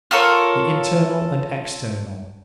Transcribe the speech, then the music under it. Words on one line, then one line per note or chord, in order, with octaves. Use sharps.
The Internal and External.
F4 A4 A#4 C#5